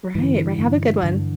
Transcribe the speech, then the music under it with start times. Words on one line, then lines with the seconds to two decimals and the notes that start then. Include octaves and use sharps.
Right, right. Have a good one.
0.15 G2 D3 E3
0.59 G2 D3
1.03 G2 D3